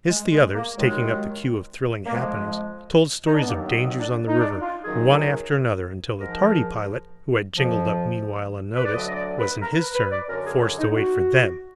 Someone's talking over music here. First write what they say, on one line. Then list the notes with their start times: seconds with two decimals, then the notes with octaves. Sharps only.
At this the others, taking up the cue of thrilling happenings, told stories of dangers on the river one after another until the tardy pilot, who had jingled up meanwhile unnoticed, was in his turn forced to wait for them.
0.08 G#3
0.31 G#3
0.54 A#3
0.76 D#2 D#3 F#3 G#3
2.06 A#3
2.12 F2 F3 G#3
3.26 D#4
3.33 D4
3.41 B3
3.49 D#2 D#3 F#3 A#3
3.66 B3
3.82 B3
4.00 D4
4.28 D#4
4.39 D4
4.61 F4
4.84 F#2 D#3 F#3 G#4
6.20 G#2 F3 A#4
7.56 F2 F3
8.76 B4
8.84 D5
8.92 D2 D3 F#3 D#5
9.06 D#5
9.15 D5
9.38 B4
9.61 A#4
9.77 B4
9.95 B4
10.11 D5
10.28 F#2 D3 F#3 A#4
10.45 G#4
10.62 G#4
10.79 D#4
10.96 F#4